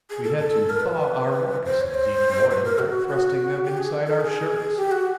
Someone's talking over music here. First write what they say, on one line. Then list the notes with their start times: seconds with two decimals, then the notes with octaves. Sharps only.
We had to thaw our moccasins each morning by thrusting them inside our shirts.
0.10 G#4
0.24 A4
0.38 A4
0.70 A#4
0.80 B4
1.65 C5
1.81 C#5
1.94 C5
2.51 B4
2.65 A#4
2.79 F#4
3.08 F#4
3.64 G4
3.78 G#4
4.07 A4
4.21 G#4
4.77 G4
4.91 F#4